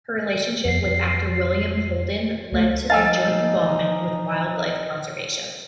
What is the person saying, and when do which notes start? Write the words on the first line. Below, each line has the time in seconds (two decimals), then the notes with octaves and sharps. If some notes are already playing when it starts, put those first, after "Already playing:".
Her relationship with actor William Holden led to their joint involvement with wildlife conservation.
0.65 F2 C7
2.52 C#2 A3
2.90 F3 D#4 F5 G#5 E6 A6